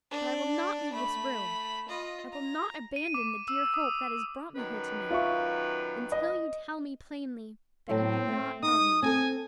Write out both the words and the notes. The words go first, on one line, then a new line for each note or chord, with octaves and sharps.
But I will not leave this room, I will not abandon the dear hope that has brought me here to-night, until you tell me plainly that you do not love me.
D4 D5
A3 B5
F4 D#5
A#5
D#7
D6
E6
D#6
F#2 D#3 B4
F4 E5 C#6
D#5
A2 F#3 C4 A4
A3
D#4 D#6
C4 A4 G#5